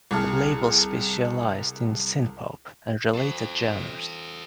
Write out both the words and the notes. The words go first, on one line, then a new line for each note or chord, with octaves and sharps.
The label specialized in synthpop and related genres.
C2 G#4 A4 F6
A4 C5